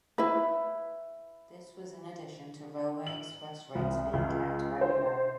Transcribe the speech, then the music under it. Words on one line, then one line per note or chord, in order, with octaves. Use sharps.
This was in addition to railway express rates being kept very low.
E4 B4
F#7
C2
C#2
C5